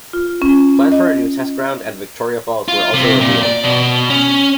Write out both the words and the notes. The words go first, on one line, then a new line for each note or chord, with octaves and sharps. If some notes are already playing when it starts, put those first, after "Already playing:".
Plans for a new Test ground at Victoria Falls were also revealed.
F4
C#4
D#5
F4
C3
A#2
D5
B2
C#4